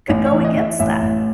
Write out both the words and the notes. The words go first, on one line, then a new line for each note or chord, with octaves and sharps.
could go against that?
A1 C#5
C#5
E3
D#5
E3
E5
A1 E5
A1